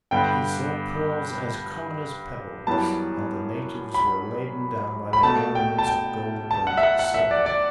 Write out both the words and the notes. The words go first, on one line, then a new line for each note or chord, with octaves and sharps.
He saw pearls as common as pebbles, and the natives were laden down by their ornaments of gold and silver.
G2 D3 G3 B3 G5
F#2 E3 G3 B3 A5
B5
B5
B2 A3 A5
G5
A5
G5
A5
F#5
E5
F#5
F#5
E5
D5
D5